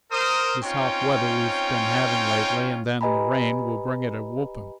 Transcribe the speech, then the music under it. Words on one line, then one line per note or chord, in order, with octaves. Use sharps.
This hot weather we've been having lately, and then the rain, will bring it a-whooping.
A#4 C5 D#6
C4 C#4 D#4 F4 C#5 G5
G4 B4 D#5 G#5 A#5 B5